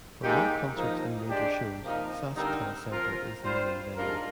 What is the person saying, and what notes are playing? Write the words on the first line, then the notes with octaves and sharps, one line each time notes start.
For rock concerts and major shows, SaskTel Centre is the main venue.
G#2 D#3 A#3 D#4 G4
F3 A#3 D#4
G#3 D4 G4
C3 F3 A#3 D#4
D3 G3 C4 D#4 A#4
F3 C4 F4 A#4
G3 C4 F4 C5
G#2 G3 D4 F4 A#4